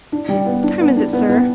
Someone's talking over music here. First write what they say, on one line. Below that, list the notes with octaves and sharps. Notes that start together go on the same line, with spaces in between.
"What time is it, sir?"
D4
G3
B3
D4
B3
D4
B3
B3